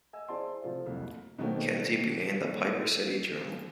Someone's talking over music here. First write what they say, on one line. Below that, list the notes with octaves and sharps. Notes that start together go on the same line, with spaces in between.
Kensey began the "Piper City Journal".
D#5 G#5 E6
E4 G#4 C5 D5 A5 C6
C3 F3 F4 A4 C5
C2 F2 A#2 F#3 A3
B2 D#3 F#3 A3 A#3 C4